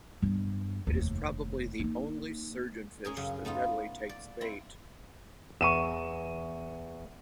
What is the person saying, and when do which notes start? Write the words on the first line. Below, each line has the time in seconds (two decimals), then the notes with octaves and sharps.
It is probably the only surgeonfish that readily takes bait.
0.22 G2 B3
0.87 F1 D#2
1.80 A#3 D#4
3.05 C#4 G#4 A#4
3.17 F#2 C#3 C#4
3.45 A3 B3 D#4 F4
4.09 D5
4.41 C4 E4
5.61 E2 C#6 D#7 E7